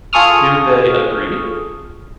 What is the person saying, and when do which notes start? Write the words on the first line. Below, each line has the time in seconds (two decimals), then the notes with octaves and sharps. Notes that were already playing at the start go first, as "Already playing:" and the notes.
Do they agree?
0.13 F4 G#4 A4 C#6 D#6 F6